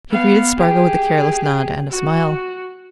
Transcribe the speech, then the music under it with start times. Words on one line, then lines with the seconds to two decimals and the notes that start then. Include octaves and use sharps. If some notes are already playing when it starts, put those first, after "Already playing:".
He greeted Spargo with a careless nod and a smile.
0.10 B3 F5
0.57 G4 G#4
1.90 F#4